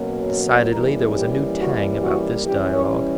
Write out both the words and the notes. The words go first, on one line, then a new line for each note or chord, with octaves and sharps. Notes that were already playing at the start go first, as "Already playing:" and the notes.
Decidedly, there was a new tang about this dialogue.
Already playing: B2 F#3 A#3 C#4
E3 G3 A#3 C#4 A#4
G4
F#4
F#4
E3 G3 C#4 G4
C#5